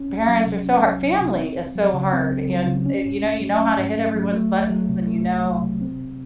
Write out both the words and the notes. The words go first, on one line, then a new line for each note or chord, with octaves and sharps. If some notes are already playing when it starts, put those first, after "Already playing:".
Parents are so hard family is so hard and it you know, you know how to hit everyone's buttons and you know,
Already playing: C#4
C2
F#3
C3
C#4
C2
F#3
C3
C4
C#2
F#3
C#3
C4
C#2
F#3
C#3
C#4
G#2
A3
F#3
C#4
G#2
A3
F#3
A3
C2
F#3
C3
A3
C2
F#3
C3
C4
C3